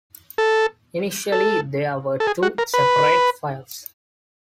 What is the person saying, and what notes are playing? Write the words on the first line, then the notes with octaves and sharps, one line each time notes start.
Initially there were two separate fires.
A4
A4
A4
G#4
F#4
A#4
B4